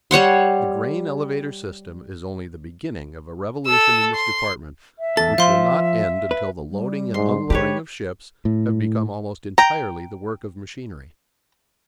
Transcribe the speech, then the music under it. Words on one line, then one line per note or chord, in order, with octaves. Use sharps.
The grain-elevator system is only the beginning of a revolution in this department which will not end until the loading and unloading of ships have become almost entirely the work of machinery.
G3 C#5 F#5 C6
A4 E6
C6
E5
E2 A4 A6
F3 F5 C6
B4
G3
G#2 C6
G#2 G#3 G4 B4 C#5
A2
G5 A#5